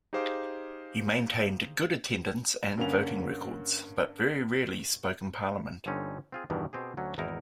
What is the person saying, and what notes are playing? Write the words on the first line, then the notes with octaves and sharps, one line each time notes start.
He maintained good attendance and voting records, but very rarely spoke in Parliament.
D#4 G4 G#4 C5 F5 D6
G2 D3 A#3 C#4 F7
G1 D3 C4 C#4 D#4
C4 F4 G#4
E2 G2 B2 D#3 E3
B2 C4 G4 G#4
D2 F#3 C#4 D4
G#1 E2 D#4 E4 A#4